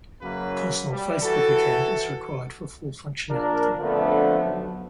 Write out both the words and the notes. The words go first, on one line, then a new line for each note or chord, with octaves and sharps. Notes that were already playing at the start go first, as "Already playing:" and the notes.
A personal Facebook account is required for full functionality.
F#2 C#3 F#3 A#3 B4
G3
E3 F#4 A4
A#1 A#2 D4 F4 A#4
F2 D3 F3 A3 B3 D4
B1